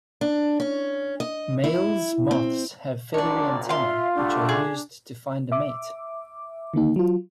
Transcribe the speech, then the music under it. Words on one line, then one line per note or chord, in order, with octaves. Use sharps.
Males moths have feathery antennae, which are used to find a mate.
D4
C#4
D#5
E4
C4
G#1 F#2 A#2 D4 C#5 D5
F4 E5 F5 C6
D3 G3 A3 D4
G#4
E5 D6
D3 D#3 A#3 D#4
F#3 F4